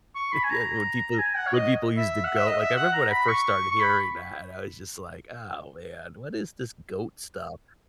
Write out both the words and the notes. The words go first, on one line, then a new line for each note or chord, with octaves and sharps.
Yeah, when people when people use the GOAT, like I remember when I first started hearing that, I was just like, "Oh, man. What is this GOAT stuff?"
C#6
B5
G#5
A#5
G#5
F#5
C#5
D#5
E5
F#5
E5
D#5
E5
F#5
A#5
B5
C#6
C#6
B5